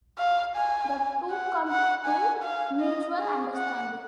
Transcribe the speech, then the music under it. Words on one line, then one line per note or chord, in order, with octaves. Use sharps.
The two come to mutual understanding.
F5
G#5
F#5
F#5
G#5
F5
D#5
G#4
F#5